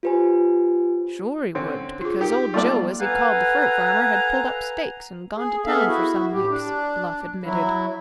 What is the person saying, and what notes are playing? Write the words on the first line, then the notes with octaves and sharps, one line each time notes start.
"Sure he would, because Old Joe, as he called the fur farmer, had pulled up stakes and gone to town for some weeks," Bluff admitted.
F4 G4 B4 C5 G#5
D3 C4 C#4
F4 G#4
D#4 G4 A#4 G5
G3 A#3 B3 F4 A4 D5
A4 B4 F5 F#5 G#5 A#5
G#4
B3 G#4 A4 E5 F5
E4 F#4
A2 G4
D4
F#3 E4